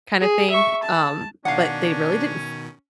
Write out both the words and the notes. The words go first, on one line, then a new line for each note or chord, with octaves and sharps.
kinda thing, um, but they really didn't
G#4
E5 C#6
A5
B2 D#3 C#4 D4 F5 F#5